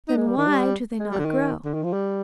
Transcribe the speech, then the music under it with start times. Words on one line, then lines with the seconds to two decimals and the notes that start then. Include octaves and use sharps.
Then why do they not grow?
0.08 D#4
0.17 G#3
0.27 G3
0.37 D#3
0.47 G3
0.99 G#3
1.12 G3
1.19 D3
1.25 D#3
1.65 D3
1.74 D#3
1.84 F3
1.93 G3